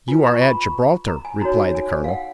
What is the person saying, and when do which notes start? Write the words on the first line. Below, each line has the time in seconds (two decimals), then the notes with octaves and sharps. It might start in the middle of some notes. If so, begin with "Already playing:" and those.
"You are at Gibraltar," replied the colonel.
0.08 F4 B4 G#5
0.24 A#5
0.34 C#6
0.41 B5
1.08 A#5
1.25 G#5
1.42 D#4 F#4 C#5 A#5
1.75 G#5
2.04 F5
2.08 F#5